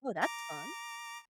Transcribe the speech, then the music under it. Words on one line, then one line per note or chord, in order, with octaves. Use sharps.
Oh, that's fun.
A#5 D6